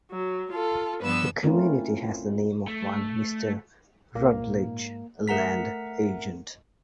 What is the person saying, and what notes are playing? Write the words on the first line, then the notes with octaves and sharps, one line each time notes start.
The community has the name of one Mr. Rutledge, a land agent.
F#3
F4 A4
G2 F3 B3 B4 E6
A3 C4 C#4 E4 F4 A#4
A3
C2 A#2 A#3
G#2
A3 A#4 F#5 A#5 B6